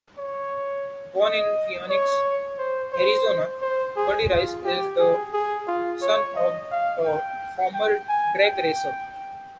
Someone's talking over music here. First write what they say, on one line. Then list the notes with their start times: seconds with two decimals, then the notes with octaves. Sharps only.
Born in Phoenix, Arizona, Buddy Rice is the son of a former drag racer.
0.18 C#5
1.21 D#5
1.90 C#5
2.59 C5
2.93 C5
3.62 C5
3.96 G#4
4.31 F4
4.65 G4
5.00 G#4
5.33 G#4
5.68 F4
6.02 C#5
6.36 D#5
6.72 F5
7.05 G5
7.74 G5
8.09 G#5
8.43 G5